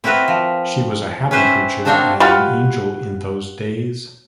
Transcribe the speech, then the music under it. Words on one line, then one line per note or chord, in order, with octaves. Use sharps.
She was a happy creature, and an angel, in those days.
C4 E4 F#4 A#4 B4
F3
C#4 G4 B4 C5 E5
A#3 C4 D4 D#4 F#4 A4
G3 F4 F#4 B4